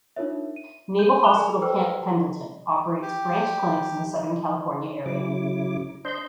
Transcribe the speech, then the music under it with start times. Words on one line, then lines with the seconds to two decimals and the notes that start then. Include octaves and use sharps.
Naval Hospital Camp Pendleton operates branch clinics in the Southern California area.
0.16 D4 D#4 F4 A#4 C#5 E5
0.56 D#7
0.99 G6 D#7
1.24 F#6 E7 F7 G7
1.37 G#4 A#4 G#5 A#5 C#6
1.62 A4 B4 C5 G5 E6 F6
3.02 G4
5.06 C#3 F#3 E4 D6
6.05 D4 C5 D#5 C6 G6